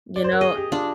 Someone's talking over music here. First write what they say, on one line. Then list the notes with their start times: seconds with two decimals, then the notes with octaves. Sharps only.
You know
0.16 D5
0.24 C5
0.32 A#4
0.41 G#4 D#5
0.56 G4
0.72 D4 F4